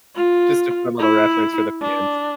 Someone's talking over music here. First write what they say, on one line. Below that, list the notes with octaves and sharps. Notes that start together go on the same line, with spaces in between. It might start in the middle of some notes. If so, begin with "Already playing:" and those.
Just a fun little reference for the fans.
F4
E4
D4